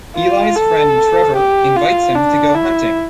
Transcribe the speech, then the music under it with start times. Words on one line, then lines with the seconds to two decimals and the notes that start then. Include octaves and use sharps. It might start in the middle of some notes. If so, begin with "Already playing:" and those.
Eli’s friend Trevor invites him to go hunting.
0.16 F4
0.56 A4
1.36 G4
1.76 F4
2.15 D4
2.55 E4